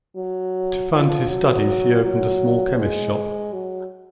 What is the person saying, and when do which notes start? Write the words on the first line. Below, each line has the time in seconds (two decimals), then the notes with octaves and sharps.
To fund his studies he opened a small chemist shop.
0.16 F#3
0.91 F3
1.28 F#3
2.04 F#3
2.78 G#3
3.53 F#3